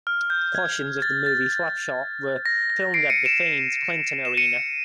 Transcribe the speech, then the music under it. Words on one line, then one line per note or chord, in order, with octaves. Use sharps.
Portions of the movie "Slap Shot" were filmed at the famed Clinton Arena.
F6
G6
G#6
A6
A6
A#6
A#6
C7 D7
C#7 D#7
D7 E7
E7
C#7 D#7